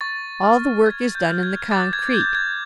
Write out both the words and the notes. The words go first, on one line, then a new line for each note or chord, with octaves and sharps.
All the work is done in the concrete.
C#6 A6
F6
C#6 G#6
G6
F6
G#6
D6 A6
G#6
G6 G#6
G#6